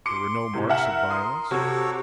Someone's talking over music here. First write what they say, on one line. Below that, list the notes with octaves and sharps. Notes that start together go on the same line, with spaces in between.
"There were no marks of violence?"
C6 D6 C#7
A2 C3
A#4 E5 F#5 F6
C6 D#6
C3 F#4 A4 C#5